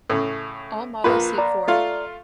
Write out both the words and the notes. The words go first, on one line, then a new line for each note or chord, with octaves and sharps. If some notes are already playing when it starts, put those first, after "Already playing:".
All models seat four.
A2 C#3
A#1 A#3 F4 B4
D5 A#5
A3 F4